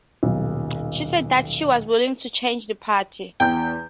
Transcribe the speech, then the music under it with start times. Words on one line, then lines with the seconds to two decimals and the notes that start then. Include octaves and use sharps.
She said that she was willing to change the party.
0.23 D#1 B1
3.40 E2 G5 G6